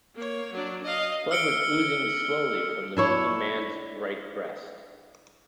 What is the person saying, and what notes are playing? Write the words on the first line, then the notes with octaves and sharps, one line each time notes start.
Blood was oozing slowly from the wounded man's right breast.
A#3 C#5
F#3 D4
D#5 F5
E6 F6 C#7 D7 G7
D4 E4 C#5